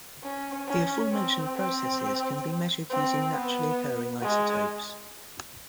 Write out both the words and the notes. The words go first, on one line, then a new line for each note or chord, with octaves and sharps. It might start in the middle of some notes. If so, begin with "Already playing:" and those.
The aforementioned processes can be measured using naturally occurring isotopes.
C#4
C#4
C4
C4
C4
B3
G#3